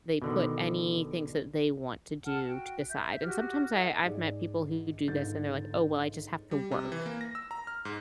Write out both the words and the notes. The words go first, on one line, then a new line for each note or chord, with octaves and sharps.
They put any things that they want to do to the side, and sometimes I I've met people who do this, and they're like, oh, well, I just have to work.
B2 D3 D#3
A4 F#5 A5 F6
F#4 G5
E5 G6
F#4 G4 F6
E4 A4 D#5 F#5
G#2 G#4 D5
G1 G#2 D3 G6 A6
G3
C3
E3
A#3
A#6
E6
A#5
F6
G#2